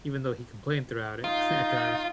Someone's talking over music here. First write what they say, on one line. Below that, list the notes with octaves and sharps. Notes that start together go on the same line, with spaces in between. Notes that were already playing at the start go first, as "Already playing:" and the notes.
even though he complained throughout it at times,
D#4 F4